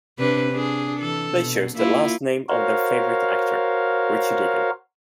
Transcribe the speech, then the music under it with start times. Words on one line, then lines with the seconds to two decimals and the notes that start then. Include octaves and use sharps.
They chose the last name of their favorite actor, Richard Egan.
0.19 C3 D4 B4
0.51 D4 G#4
0.99 E3 A4
1.34 B2
1.76 A#3 E4 F4
2.49 F#4 A#4 C5 C#5 F5